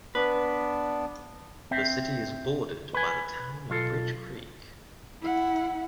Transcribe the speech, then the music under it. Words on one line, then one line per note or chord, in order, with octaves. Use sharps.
The city is bordered by the Town of Bridge Creek.
B3 D4 B4
C4 E5
B4 G#5
B1 F4 A4
E4 F#5